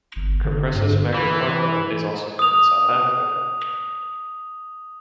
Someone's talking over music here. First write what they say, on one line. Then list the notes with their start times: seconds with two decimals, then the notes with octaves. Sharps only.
"Cupressus macrocarpa" is also grown in South Africa.
0.16 G1
0.45 D3
0.75 G2
1.15 E3
2.39 D#6 F7